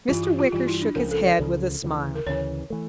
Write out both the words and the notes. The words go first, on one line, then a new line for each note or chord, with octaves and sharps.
Mr. Wicker shook his head with a smile.
G2 E3 G3 F4
G4
F4
G2 E3 G3 F4
E4
D4
C#2 C#3 F3 A#4
A4
D5
C#2 C#3 F3
D2 C#3 E3
A#4
D2 C#3 E3 C#5
E3 A3